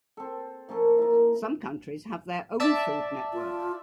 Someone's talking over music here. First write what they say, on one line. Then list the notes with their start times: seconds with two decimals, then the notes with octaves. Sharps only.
Some countries have their own Food Network.
0.17 C4 A4
0.69 F3 A#3 C#4 A4
0.98 A#3 E4
2.60 D5 E5 A5
3.33 F4